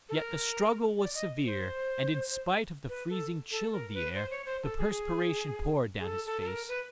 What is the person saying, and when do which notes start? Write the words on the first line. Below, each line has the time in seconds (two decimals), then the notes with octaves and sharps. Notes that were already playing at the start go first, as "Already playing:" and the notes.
Yet the struggle was severe, and in spite of the freezing chill of the air, the perspiration poured down his face.
0.09 A4
0.14 A#4
0.99 D5
1.15 D#5
1.46 C5
2.89 B4
3.10 A4
3.51 A4
3.73 A#4
3.94 B4
4.15 C5
4.31 C#5
4.46 C5
4.63 A4
4.78 G#4
6.00 G#4
6.05 A4
6.26 A4
6.41 A4
6.47 A#4
6.68 B4